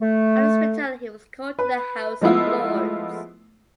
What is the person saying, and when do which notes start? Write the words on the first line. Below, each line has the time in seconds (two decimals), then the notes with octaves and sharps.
On his return he was called to the House of Lords.
0.01 A3
1.59 B4
2.21 F3 G#3 A3 B3 E4 F4